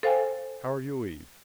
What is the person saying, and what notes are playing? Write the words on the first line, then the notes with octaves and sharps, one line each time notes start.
"How are you, Eve?"
A4 C5 F5 G5 G#5